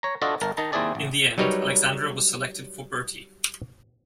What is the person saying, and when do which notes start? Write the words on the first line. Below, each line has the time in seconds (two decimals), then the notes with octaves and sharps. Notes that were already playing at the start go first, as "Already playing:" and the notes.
In the end, Alexandra was selected for Bertie.
0.03 C#5 A#5
0.22 D4 F4 F#4 A4 D5 D#5
0.41 G1 A#4 A5
0.57 D#3 D#4 A5 A#5
0.72 D#2 C4 E4 G#4 D5 A5
0.95 A1
1.38 F#3 G3 D#4 A#4 B4 C#5